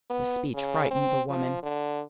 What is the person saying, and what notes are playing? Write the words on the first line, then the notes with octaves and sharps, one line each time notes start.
This speech frightened the woman.
B3
C#3
C4
F3
D3